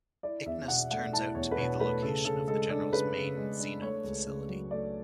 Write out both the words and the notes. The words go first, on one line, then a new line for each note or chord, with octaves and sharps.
Icnus turns out to be the location of the General's main Xenome facility.
E4 D5
E2 E5
B2 F#5
A3 F#5
E4 A5
E2 C#5
B4
B2 C#5
A3 B4
C#3 A4
C#3 A4
G#3 A4
D4 A4
C#3 B4
C#3
G#3
D4
A3 C#5
C#2
C#3
F#3
A3 D5